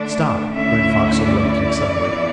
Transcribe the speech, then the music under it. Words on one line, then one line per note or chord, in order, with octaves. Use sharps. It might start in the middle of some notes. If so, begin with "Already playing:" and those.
"Stop!" Running Fox interrupted, excitedly.
Already playing: D3 A3 D4 D5
D2 D3 A3 C#4 E4 E5
D5
E2 E3 A#3 E4